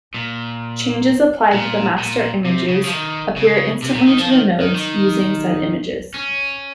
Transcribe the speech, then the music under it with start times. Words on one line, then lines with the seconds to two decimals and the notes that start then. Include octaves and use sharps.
Changes applied to the master images appear instantly to the nodes using said images.
0.14 A#2
1.53 A#2
1.98 A#2
2.45 C3
2.68 C#3
2.84 F3
2.90 D#3
3.36 C#3
3.82 C3
3.94 A#2
4.07 D#3
4.18 F3
4.29 D#3
4.61 D#3
4.75 D#3
6.14 C#4